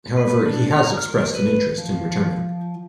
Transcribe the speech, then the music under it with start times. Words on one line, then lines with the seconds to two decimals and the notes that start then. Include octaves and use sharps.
However, he has expressed an interest in returning.
0.17 B4
0.46 D4
0.71 A#5
0.97 F6
1.10 A#4
1.35 B4
1.78 F3